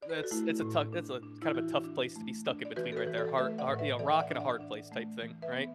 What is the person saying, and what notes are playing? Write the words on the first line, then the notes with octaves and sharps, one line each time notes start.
That's it's a tough it's a kind of a tough place to be stuck in between right there, har har you know, rock-and-a-hard-place type thing. Right?
D5
B4
A4
F#4
A3 E4
A2
D4
D4
E4
E3 F#4
D4
A3
D4
D5
E3 F#4 B4
A4
F#4 B4
E3
A4 D5
A3 B4 E5
D5 F#5
A2
B4 E5
E3 A4 D5
E5
D5 F#5
D4
D5 F#5
D4
A3
E3
B4 E5
B3